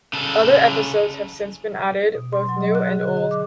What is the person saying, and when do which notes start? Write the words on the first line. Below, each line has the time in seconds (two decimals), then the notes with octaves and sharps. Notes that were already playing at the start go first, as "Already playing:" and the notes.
Other episodes have since been added, both new and old.
0.13 C#3 A4
2.15 B2
2.33 C6
2.49 F#3
2.61 D#5
2.75 F#6
2.88 G#4
3.03 D3
3.17 D#5
3.31 D6